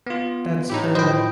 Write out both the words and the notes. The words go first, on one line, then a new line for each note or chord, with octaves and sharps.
That's true.
B3 F4
A2 D#4 E4 G4
F3 E4 B4 C5 D#5 G5